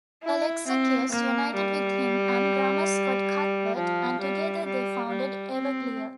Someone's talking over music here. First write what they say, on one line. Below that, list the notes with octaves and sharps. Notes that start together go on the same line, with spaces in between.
Alexakis united with him and drummer Scott Cuthbert, and together they founded Everclear.
E4
C4
A#3
G3
F3
G3
G3
G3
C4